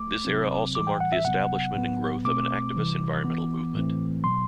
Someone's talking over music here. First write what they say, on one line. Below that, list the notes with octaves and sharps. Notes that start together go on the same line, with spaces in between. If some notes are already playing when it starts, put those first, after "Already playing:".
This era also marked the establishment and growth of an activist environmental movement.
Already playing: A3 D6
C3 F#3 C4
A2 E3 G3 D6
G5
F#5
E5
C3 F#3 B3 F#5
A2 F#3 B3
B2 A3 C4 D6
C3 E3 G3
E3 B3
A2 E3 A3 C4
B2 F#3 B3 C6